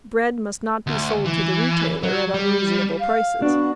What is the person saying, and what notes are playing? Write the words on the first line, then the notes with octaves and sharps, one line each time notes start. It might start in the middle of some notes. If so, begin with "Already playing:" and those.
Bread must not be sold to the retailer at unreasonable prices.
D2
E3
F#3
G3
F5
B3 D4 F#4